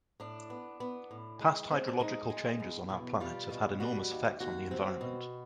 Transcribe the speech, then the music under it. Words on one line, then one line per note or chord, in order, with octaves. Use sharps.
Past hydrological changes on our planet have had enormous effects on the environment.
A2 D4
B3
B3
A2
G#3
C4
D4
G#3 D#4
G#3
E2
B2
G3 F4
B2
G3 F#4
D#2
D#2 F#4
C4
B2